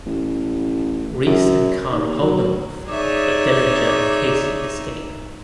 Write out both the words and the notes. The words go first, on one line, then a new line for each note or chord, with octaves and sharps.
Reese and Kara hold them off but Dillinger and Casey escape.
A1
F#2
D#2
F#3
D#4 G#4 C#5 D5 E5